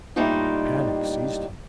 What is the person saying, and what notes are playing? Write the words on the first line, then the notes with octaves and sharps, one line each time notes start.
Panic seized him.
A2 G3 A#3 D4 D#4 F4